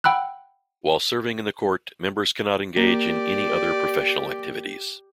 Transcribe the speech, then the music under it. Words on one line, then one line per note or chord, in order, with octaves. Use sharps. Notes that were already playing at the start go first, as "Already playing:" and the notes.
While serving in the Court, members cannot engage in any other professional activities.
F#5 G5 B5 E6 F#6
A#3 G4 D5